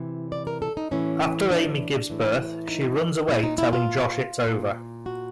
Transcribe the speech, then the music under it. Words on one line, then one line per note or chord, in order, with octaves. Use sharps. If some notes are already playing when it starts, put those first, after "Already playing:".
After Amy gives birth she runs away telling Josh its over.
Already playing: C3 E3
D5
A#4
A4
D#4
A2 E3 C#4
D4
A2 E3
D#4
A#2 E4
D#4
E4
F4
A#2
F#4